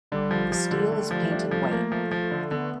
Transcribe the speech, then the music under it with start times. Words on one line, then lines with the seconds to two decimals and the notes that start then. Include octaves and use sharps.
The steel is painted white.
0.12 D3 G3
0.31 F3
0.52 F3
0.71 D3
0.91 D3 A3
1.11 F3
1.31 D4
1.51 F3
1.71 A#3
1.92 F3
2.11 F3
2.31 D3
2.51 D3 B3